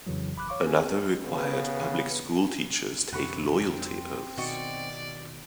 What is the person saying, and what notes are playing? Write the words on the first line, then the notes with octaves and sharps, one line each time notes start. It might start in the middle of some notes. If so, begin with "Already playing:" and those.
Another required public school teachers take loyalty oaths.
F2 C#3 E3 F#3
G#1 B5 D6 F#6
C#5 F5 C#6 D6
C4 G#4 B4 G#5
C#3 B3 G#4 B4
F2 C3 F#5 B5 C#6
C4
B2 D#3 F#4 D5 D#5 C#6